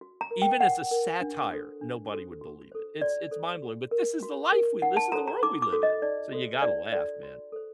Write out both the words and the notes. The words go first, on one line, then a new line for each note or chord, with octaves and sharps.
E even as a satire, nobody would believe it. It's it's mind-blowing, but, this is the life we li this is the world we live in, so you gotta laugh, man.
F#4
A#5
A#4
G5
F#4 F#5
A#4
D4
F#4 A4 C5
D4
F#4 A4 C5
F#4
A4 C5
F#4 D5
A4 C5
F#4
A#4
F#4
A#4
D#4 F#5
A5
F#4 A4 C5 A#5
A#5
D#4 D6
D6
F#4 A4 C5
D#5
D#4 D5
F#4 A4 C5
D#4 D5
F#4 A4 C5 D5
F#4
A4 C5